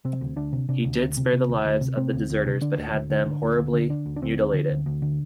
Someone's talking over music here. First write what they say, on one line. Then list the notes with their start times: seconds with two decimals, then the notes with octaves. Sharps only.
He did spare the lives of the deserters, but had them horribly mutilated.
0.05 C3 C4
0.21 D2
0.36 D2 D4
0.53 C3
0.69 C3 D4
0.85 D2
1.01 D2
1.17 C3
1.33 C3
1.49 D2
1.65 D2
1.81 C3
1.97 C3 C4
2.13 D2
2.30 D2
2.46 C3
2.61 D3 D4
2.77 D2
2.94 D2
3.10 D3
3.26 D3
3.42 D2
3.58 D2
3.73 D3
3.90 D3 D4
4.06 D2
4.16 D4
4.22 D2 C4
4.38 D3
4.54 D3
4.70 D2
4.86 D2
5.02 D3